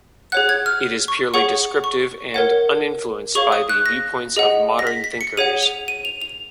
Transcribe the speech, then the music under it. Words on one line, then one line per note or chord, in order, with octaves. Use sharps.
It is purely descriptive and uninfluenced by the viewpoints of modern thinkers.
G#4 C#5 F#5 F#6
G#6
F6
C#6
G#4 C#5 F#5 C#6
C#6
A#4 C#5 F#5
G#4 C#5 F5 C#6
D#6
F#6
A#6
G#4 D#5 F#5
A#6
B6
B6
C#7
G#4 C#5 F#5 D#7
F7
D#7
F7
F7